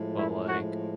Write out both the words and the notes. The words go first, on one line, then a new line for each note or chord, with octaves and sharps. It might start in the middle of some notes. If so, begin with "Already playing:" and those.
but, like
Already playing: A2 F3 G#3
E4
F#4